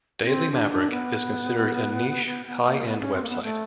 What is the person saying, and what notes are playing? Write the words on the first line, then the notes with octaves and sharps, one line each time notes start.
"Daily Maverick" is considered a niche, high-end website.
C4
D4
D4
B3
B3
B3
A#3
B3
C#4
C4
A#3
B3
A3